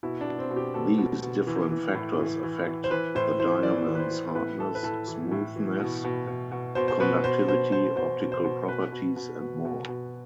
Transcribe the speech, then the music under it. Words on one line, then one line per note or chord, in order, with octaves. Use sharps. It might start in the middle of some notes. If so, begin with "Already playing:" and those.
These different factors affect the diamond's hardness, smoothness, conductivity, optical properties and more.
B2 E4
D4
B2
C4
B2
G4
B2 A4
B2
B2
E3
E3
A2
E3
E3
E3
C5
E3 B4
A2 C5
E3 C5
E3 D5
E3
B4
C5
E3
A2 B4
A2 A4
B4
A2 A4
E3
A2
E3
B2
B2
B2
B2
B2 C5
C5
B2 B4
B2 C5
B2 C5
B2 C5
B2 C5
B2
C5
B2
B2 B4
B2
B2
B2
B2
B2